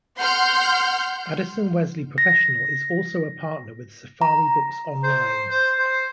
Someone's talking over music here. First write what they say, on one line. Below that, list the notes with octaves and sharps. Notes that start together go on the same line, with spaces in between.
Addison-Wesley Professional is also a partner with Safari Books Online.
F#5 C6 F6 G6
A#6
A#5
C5
C5
C5